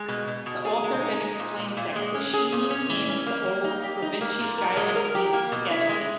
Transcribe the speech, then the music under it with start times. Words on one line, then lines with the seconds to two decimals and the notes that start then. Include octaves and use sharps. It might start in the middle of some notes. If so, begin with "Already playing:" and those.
The author then explains that Koshchei-in the old Krivichi dialect-means "skeleton".
Already playing: G#3
0.08 B2
0.27 B2
0.46 B2
0.65 G#4
0.84 G#3
1.02 D#4
1.21 G#3
1.39 A#2
1.58 A#2
1.77 A#2
1.95 G#3
2.14 C#4
2.33 G#4
2.52 A#2
2.70 C#4
2.89 E3
3.08 C#4
3.26 A#3
3.46 A#3
3.64 D#4
3.83 G4
4.02 D#4
4.21 A#3
4.40 A#2
4.58 A#4
4.77 G#3
4.96 A#4
5.15 G4
5.33 A#3
5.52 B2
5.71 E4
5.89 G#3